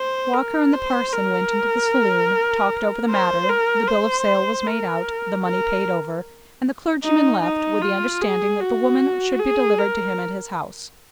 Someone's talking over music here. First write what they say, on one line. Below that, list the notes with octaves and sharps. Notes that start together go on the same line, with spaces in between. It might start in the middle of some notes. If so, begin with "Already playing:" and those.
Walker and the parson went into the saloon, talked over the matter, the bill of sale was made out, the money paid over, and the clergyman left, with the understanding that the woman should be delivered to him at his house.
Already playing: C5
A#4
C5
A#4
C5
A#4
C5
A#4
A#4
D#4
D#4
F4
G#4
F#4
G#4
A#4